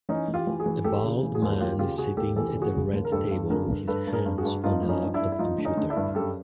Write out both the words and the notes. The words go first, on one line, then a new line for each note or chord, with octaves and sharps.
A bald man is sitting at a red table with his hands on a laptop computer.
E3 C#4 D#4
E3
F4 G4
E3
F#4 G#4
E3
E3 G4 A4
C#3
E3
F#4 G#4
D#2
D#2 F4 G4
C#3 F4 G4
C#3 F#4 G#4
D#2 G4 A4
E3 G4 A4
C#3
F#4 G#4
C#3
D#2
A#4
G2 G4 A4
G2
D3 G#4 A#4
G2
G2 A4 B4
G2
G#4 A#4
G2
F#4 G#4
G2
G2 D#4 F4
F3
C#4 D#4
G2
D4 E4
G2
E4
F3 D#4 F4
D3
C#4 D#4
D3
D4 E4
G2
F#2 G4 A4